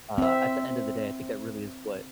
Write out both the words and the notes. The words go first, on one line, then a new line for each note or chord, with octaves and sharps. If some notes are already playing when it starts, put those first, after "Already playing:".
uh, at the end of the day, I think that really is what
C4 E5